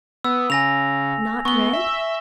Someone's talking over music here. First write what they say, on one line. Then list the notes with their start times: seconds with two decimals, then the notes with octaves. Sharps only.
Not red?
0.24 B3 E6
0.50 C#3 G#5 A#6 F7
1.45 B3 C#6 G7
1.73 E5